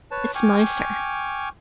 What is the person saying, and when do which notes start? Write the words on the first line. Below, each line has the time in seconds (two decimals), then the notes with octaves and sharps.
"It's nicer."
0.11 B4 C#5 A5
0.35 G5 G#5 C#6 D6 F6